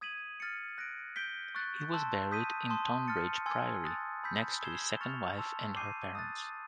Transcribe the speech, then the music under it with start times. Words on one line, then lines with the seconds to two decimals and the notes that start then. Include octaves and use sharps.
He was buried at Tonbridge Priory, next to his second wife and her parents.
0.01 D#6 G#6 B6 D#7 F#7
0.40 F6 A6 C#7
0.78 F#6 A#6 D7
1.16 G6 B6 D7 G7
1.55 C#6 F#6 A6
1.94 A5 C6 E6
2.32 D#6 G6 B6 D#7
2.69 A5 C6 D#6
3.08 F6 A6 C#7
3.46 G#5 C6 E6 G#6
3.85 D#6 F#6 A6
4.24 B5 E6 G6 B6
4.62 E6 G#6 C7 E7 G7
5.01 C#6 F6 A6 C#7 F7
5.38 A5 C6 E6
5.76 D6 G6 C7 D#7
6.15 D#6 F#6 A6